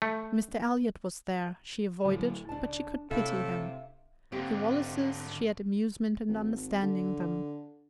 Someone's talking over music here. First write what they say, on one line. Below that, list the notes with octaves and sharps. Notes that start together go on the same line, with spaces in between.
Mr Elliot was there; she avoided, but she could pity him. The Wallises, she had amusement in understanding them.
A3
A2 D3 F#3
C#2 D4 A5
A2 C3 A4 E5 F5
G#2 D3 A#3 C4 G4
G#1
D3